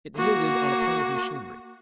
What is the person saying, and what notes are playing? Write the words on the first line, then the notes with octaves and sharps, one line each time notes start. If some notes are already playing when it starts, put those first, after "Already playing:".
It yielded on a point of machinery.
A#3 F#4